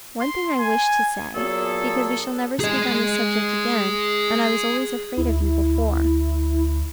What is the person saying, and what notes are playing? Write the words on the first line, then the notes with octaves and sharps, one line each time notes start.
'One thing I wish to say, because we shall never speak on this subject again, and I was always afraid of you before.
C6
G#5
A#2 F#3 B3 G#4 A4
G#4 D#5
D2 E4